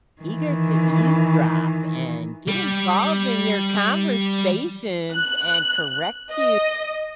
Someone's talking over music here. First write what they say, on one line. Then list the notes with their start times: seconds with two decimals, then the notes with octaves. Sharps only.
eager to eavesdrop and get involved in your conversations and correct you,
0.22 D#3 E3
2.47 G3 G4
5.12 F#6
6.31 D#5